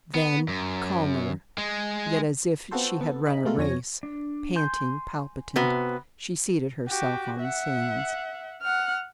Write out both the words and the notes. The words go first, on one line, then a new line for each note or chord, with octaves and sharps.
Then, calmer, yet as if she had run a race, panting, palpitant, she seated herself on the sands.
B3
F#2
G#3
B3 C4 F4 F#4 A4 C5
B3 A4
D#4 G#4 D#5 B5
B2 G#3 A3 F4 A4 A#4
F2 C#4 C#5 G#5 A#6
D4
G#5 C6 G6
C3 B3 F#4
F#4 G4
E5 F#5
F#5 F6